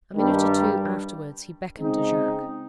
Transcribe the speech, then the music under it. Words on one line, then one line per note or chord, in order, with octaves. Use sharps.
A minute or two afterwards, he beckoned to Jacques.
G2 D#3 G3
C#3 G#3 C4 D#4